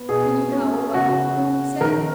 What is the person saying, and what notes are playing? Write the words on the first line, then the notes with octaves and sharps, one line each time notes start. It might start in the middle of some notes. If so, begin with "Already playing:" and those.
'Can you howl well?' he said.
Already playing: B3
B2 G#4
C#4
C#3 F#4
C#4
D#3 A#4